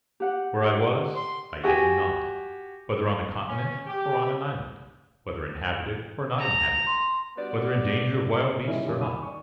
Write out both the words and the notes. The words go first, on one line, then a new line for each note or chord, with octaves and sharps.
Where I was, I yet knew not; whether on the continent or on an island; whether inhabited or not inhabited; whether in danger of wild beasts or not.
G4 F#5
C6
F#4 G4 G#5
C#4
G4
A#5
C6
G3 B3 F#4 D5
D#3 G3 C#4 E4
D#1 F#2
D#3 D5 G#5 B5 D#7
D5 C#6